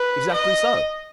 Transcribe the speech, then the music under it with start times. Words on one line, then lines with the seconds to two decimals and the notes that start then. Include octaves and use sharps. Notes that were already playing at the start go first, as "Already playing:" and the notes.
"Exactly so."
Already playing: B4
0.33 D#5